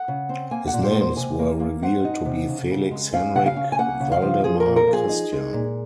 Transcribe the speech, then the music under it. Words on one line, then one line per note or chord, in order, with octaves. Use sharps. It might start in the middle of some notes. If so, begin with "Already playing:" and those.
His names were revealed to be Felix Henrik Valdemar Christian.
Already playing: F#5
C#3
C4
A#3 G#5
F#5
A#2
C5
A#3
C5
C3 G#5
A#3
A#3
C4 F#5
D#4
C3
C#3
C#3
G#3
C#4 F5
C#3 F#5
F5
C#4
G#5
A#3 F#5
C#3
F5
F3
F3 G#4
A#4
A#2
A#4
F3
G#4
D#4
G#3
A#2